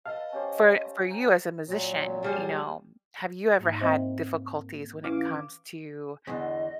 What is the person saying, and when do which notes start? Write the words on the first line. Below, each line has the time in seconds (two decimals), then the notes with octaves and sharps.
for for you as a musician, you know, have you ever had difficulties when it comes to,
0.06 A4 B4 D#5 F5 A5
0.32 C#4 G4 C5
1.10 G5 G#5 A#5
1.68 A#2 F#3
2.23 F3 G3 G#4
3.58 G#2 A#3 D#4
3.81 A#3 C4 C5 D#5 E5 G5
5.04 E3 C#4 F5 D6 G#6
6.27 E2 D3 D#5